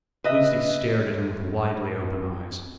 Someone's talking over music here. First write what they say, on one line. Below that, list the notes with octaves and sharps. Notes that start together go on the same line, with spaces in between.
Lucy stared at him with widely-open eyes.
B4 D#5 E5